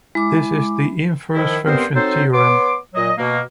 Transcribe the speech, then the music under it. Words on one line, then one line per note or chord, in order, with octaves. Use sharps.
This is the inverse function theorem.
G#3 E4 D6
D#3 F3 E4
G2 B3 C4 A#4 C5
F#3 C4 D#4 A4 C5
B3 C#5 C6 D6
A#2 F#3 D#5
B2 A#3